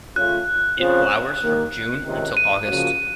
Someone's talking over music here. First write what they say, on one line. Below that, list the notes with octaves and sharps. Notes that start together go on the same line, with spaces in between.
It flowers from June until August.
C#3 A3 C#4 F4 F#6
C#3 F3 C4 F4 C5
D#2 D#3 A#3
C#2 C3 D#3
D#7
C#3 F3 A#3 C#4 F#4